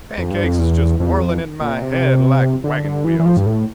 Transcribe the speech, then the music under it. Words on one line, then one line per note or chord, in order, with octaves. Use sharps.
Pancakes is just whirling in my head like wagon wheels.
F2
G2
F2
E2
F2
E2
F2
A#2
C3
D3
D3
E3
E3
F3
G2
A2